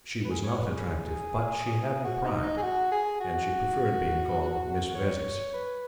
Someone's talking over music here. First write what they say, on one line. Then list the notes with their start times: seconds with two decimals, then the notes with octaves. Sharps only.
She was not attractive; but she had her pride, and she preferred being called "Miss Vezzis."
0.24 B4
0.30 G#4
0.43 C#5
0.58 B4
0.73 G#4
2.04 F#4
2.24 D#4
2.42 D#4
2.57 G#4
2.62 F#4
2.92 G#4
3.20 F#4
4.95 C#5
5.53 B4